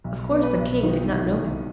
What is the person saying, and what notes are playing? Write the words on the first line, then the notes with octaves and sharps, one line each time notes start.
Of course the king did not know him.
B1
B3
B4
B1
D#3 D#4
C2
C2